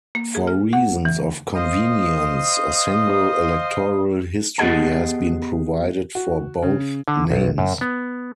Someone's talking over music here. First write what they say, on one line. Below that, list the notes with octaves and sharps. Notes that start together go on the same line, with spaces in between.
For reasons of convenience, a single electoral history has been provided for both names.
A#3
G#4
F6
F#5
E3
C5 D#5 F5 C6 D#6
B3 G4 G#4 D#5 F#5 A5
F#4
C#3
D3
B1
F#2
B3